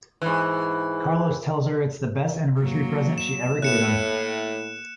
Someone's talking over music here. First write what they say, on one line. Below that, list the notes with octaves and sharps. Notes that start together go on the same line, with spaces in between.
Carlos tells her it's the best anniversary present she ever gave him.
G#2 E3
F#3 A#3
E7
A2 A#3 F#6 C#7 E7